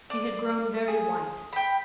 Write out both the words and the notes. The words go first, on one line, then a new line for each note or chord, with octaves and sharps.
She had grown very white.
D5
G#4
G5 B5